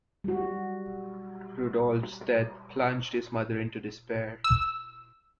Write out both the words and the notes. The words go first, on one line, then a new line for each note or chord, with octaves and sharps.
Rudolf's death plunged his mother into despair.
G3 F#4
E6